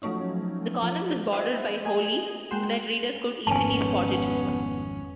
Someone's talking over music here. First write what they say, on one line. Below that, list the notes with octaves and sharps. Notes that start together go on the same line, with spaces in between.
The column was bordered by holly so that readers could easily spot it.
F3 F#3 A3 C#4 D#4
F3
B4 C5 D#5 E5 F#5
G#4 D#5 G#5
G#3 A#3 F#4 G5 C6 E7
G#1 F2 G#2 B3 C#4 G#5 A5